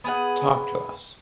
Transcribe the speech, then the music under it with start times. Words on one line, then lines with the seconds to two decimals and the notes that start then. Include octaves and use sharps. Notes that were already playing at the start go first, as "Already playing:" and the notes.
Talk to us.
0.04 B3 G#4 F#5